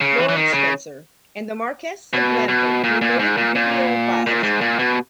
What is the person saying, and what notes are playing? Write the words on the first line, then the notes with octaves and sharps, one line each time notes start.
Lord Spencer and the Marquess of Blandford were noted bibliophiles.
C#3
E3
E3
D#3
C#3
B2
B2
A#2
A#2
G#2
A#2
A#2
A#2
G#2
A#2
B2